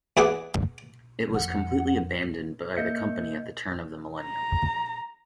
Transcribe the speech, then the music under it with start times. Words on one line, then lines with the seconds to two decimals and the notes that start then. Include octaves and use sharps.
It was completely abandoned by the company at the turn of the millennium.
0.17 E2 E4 G#4 F#5 D6
1.34 F2 F#5
2.77 A#3 D#5 E5 G6 C#7
4.22 A#5